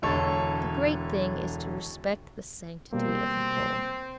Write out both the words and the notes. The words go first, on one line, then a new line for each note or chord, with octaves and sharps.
The great thing is to respect the sanctity of the home.
E1 D3 A4 C#5
B2 G3 A#3 C4